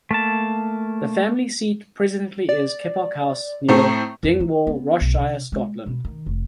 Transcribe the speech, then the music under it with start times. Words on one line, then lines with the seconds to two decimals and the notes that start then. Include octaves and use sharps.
The family seat presently is Keppoch House, near Dingwall, Ross-shire, Scotland.
0.11 A3 A#3 A5
2.49 D5
3.69 A2 A3 C4 A#5
4.23 F2
4.40 D#4
4.67 B3
5.01 B1
5.19 C3
5.52 G#3
5.86 B2
6.05 D#3
6.26 F1